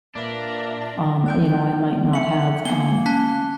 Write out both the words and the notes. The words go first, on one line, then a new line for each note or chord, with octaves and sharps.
um, you know, I might not have, um,
A#2 A#3 D4 F4 B4 E5 A#5 E6
D5 G5 E6 F#6 G6
E5 C#7 F#7
A#3 B3 F#5 G#5 G7
C#4 A5 F#6 B6